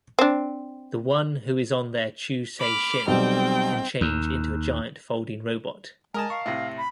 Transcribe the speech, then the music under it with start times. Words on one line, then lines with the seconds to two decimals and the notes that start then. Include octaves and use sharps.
The one who is on their ChouSeiShin can change into a giant folding robot.
0.19 C4 D4
2.58 B5 D6 F6
3.07 B1 G3 C4 G5
4.01 D#2
6.14 G#3 A#4 D#5 G#5 A5
6.30 F5 C#6
6.46 A2 C3 E5 A#6
6.78 B5